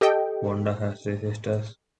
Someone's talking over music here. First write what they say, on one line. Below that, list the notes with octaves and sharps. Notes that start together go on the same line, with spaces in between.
Vonda has three sisters.
G4 A4 D#5 G5